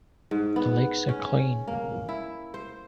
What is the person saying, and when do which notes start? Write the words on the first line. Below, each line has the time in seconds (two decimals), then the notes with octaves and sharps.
The legs are clean.
0.31 G#2
0.56 B3
1.09 C#4
1.67 A#3
2.09 E4
2.54 C5